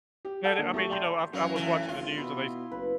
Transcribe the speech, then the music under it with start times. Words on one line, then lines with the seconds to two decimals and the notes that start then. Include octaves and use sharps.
And it I mean, you know, I I was watching the news, and they s
0.25 G4
0.44 A4 D5 F#5 G5 A5
0.58 D3 A#3
0.74 A3 G4 C#6
0.90 D5 E5 G5 A5 C6 G6
1.33 F#2 F#3 A#3
1.56 A2 D#3 E3
1.89 G#1 F4
2.18 B2 E4
2.71 F#1 B4